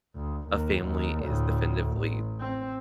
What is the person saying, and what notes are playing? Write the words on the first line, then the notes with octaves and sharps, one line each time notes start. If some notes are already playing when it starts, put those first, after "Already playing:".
a family is definitively
D2
D#2
D#2
D2 A2
A1
C4